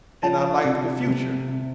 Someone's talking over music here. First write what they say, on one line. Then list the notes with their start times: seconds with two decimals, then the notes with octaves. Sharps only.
and I like The Future,
0.23 F3 A5
0.64 C3
1.05 C3
1.48 C3